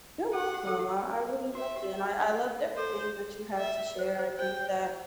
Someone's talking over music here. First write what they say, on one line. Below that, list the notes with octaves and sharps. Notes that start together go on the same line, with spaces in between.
You're welcome, I I really loved it and I I loved everything that you had to share. I think that
A4 F#5
G4
A4
G4
F#4 E5
G4
A4 C5
E5
C5
C5
C5 G5